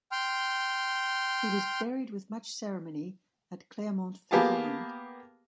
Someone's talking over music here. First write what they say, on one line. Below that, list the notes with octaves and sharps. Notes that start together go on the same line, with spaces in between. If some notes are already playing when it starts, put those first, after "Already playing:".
He was buried with much ceremony at Clermont-Ferrand.
G5 C6 F6
A#3 B3 G4 G#4 F5 A5